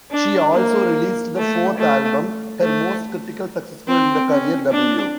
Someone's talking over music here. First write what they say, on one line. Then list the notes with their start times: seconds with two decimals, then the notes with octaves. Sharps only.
She also released the fourth album, her most critical successful in the career, "W".
0.10 D4
0.53 A#3
1.37 A3
1.78 A3
2.62 A3
3.88 C4
4.29 C#4
4.70 D4